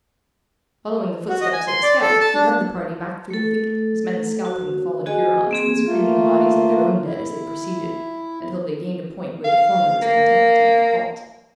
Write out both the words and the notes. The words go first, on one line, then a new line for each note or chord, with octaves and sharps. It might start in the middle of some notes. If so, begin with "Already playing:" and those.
Following the footsteps of the scout, he led the party back through the thicket, his men scalping the fallen Hurons and secreting the bodies of their own dead as they proceeded, until they gained a point where the former was content to make a halt.
F#4
D#5
G#5
C6
D5
A4
A5
D4
A3 A4
F#4
F#4 G#4 D#5 G#5
A#3 C4 G#4
A3 A#3 F4
E4
F5
A#3